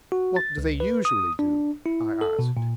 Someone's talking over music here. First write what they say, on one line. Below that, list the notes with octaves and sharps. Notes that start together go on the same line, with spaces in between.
"What do they usually do?" I asked.
F#4
A6
C#2
B4
D#6
D4
E4
A4
B2
A#2